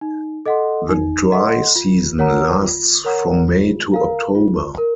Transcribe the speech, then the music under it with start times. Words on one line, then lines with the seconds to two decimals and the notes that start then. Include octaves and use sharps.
The dry season lasts from May to October.
0.01 D#4
0.46 A4 D#5 F#5 C6
0.89 D#4
1.32 A4 D#5 F#5 C6
1.76 F4
2.19 A#4 C#5 F#5 A#5
2.62 F4
3.05 A#4 C#5 F#5 A#5
3.48 F4
3.92 A#4 F5 A#5
4.35 F4
4.78 A#4